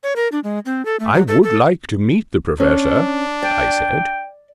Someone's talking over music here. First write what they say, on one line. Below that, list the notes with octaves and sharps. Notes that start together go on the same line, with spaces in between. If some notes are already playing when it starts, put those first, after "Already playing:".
"I would like to meet the Professor," I said.
C#5
A#4
D4
G#3
C4
A4
A3
F#3
A4
A4
C#4 D4
D5 G5